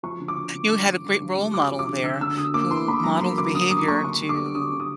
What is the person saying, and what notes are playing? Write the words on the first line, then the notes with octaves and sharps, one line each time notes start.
You had a great role model there who modeled the behavior to,
F3 C#6
D3
D6
D3
D3
G2
G2
D3
G2
G2
G2 D6
F3
D6
D3
D3 E6
D3 E6
D3 D#6
A#3 D6
D3 C6
A#3 B5
F#3 A#5
A#3 C6
D3 D6
D3 D#6
D3 D#6
A#3 C#6
D3 C#6
G3
D6
B3
D3 D#6
D3
D#6